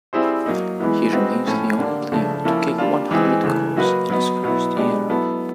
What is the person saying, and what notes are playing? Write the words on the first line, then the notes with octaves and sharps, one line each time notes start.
He remains the only player to kick one hundred goals in his first year.
G3 C4 E4 G#4 C5
F#3 A#3 D#4
E3 G#3 B3 E4
G#3 C4 D#4 F#4 B4
A2 F3 A3 C#4
D3 G3 A#3 D4
C#3 F3 A3 D4
F3 A#3 C#4 E4 A4
G3 A#3 D4 F4
E3 G#3 C4 D#4 G#4
C#3 E3 A3
F#3 A#3 D#4 F#4 B4
F#3 B3 D#4
B2 F#3 B3 E4
B2 G#3 B3 D4 G4
F#3 B3 E4 A4